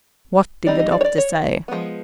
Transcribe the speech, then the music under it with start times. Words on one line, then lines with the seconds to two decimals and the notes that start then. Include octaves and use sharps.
"What did the doctor say?"
0.67 G3 C4 D#4 D5
0.79 D#5
0.92 D5
1.01 C#5
1.05 D5
1.18 C#5
1.68 F3 G#3 B3